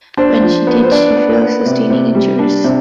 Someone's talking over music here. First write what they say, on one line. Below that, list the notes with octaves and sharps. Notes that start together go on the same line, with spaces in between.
When she did, she fell, sustaining injuries.
D4 C5
F3
B3
C5
D4 D5
B3
B3
C3
C3
G3
D4
C3